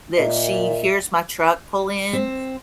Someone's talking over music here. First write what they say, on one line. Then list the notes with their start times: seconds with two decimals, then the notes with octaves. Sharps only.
that she hears my truck pull in,
0.17 A#2 D#5 E5
2.13 C4